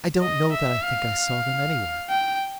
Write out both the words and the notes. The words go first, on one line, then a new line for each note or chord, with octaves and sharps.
'I don't know that I think I saw them anywhere.
D#5
E5
F5
G5